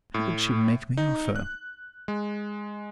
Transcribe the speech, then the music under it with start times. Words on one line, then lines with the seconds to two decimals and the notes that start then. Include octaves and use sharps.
How did she make me offer?
0.14 A2
0.97 D#4
1.36 F#6
2.08 G#3